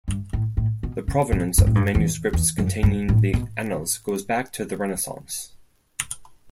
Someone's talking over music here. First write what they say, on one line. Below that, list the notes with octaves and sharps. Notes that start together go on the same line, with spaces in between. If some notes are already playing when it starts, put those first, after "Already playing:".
The provenance of the manuscripts containing the "Annals" goes back to the Renaissance.
G2
A2
A2
B2
C#3
B2
G2
A2
G2
E2
E2
F#2
G2
A2
B2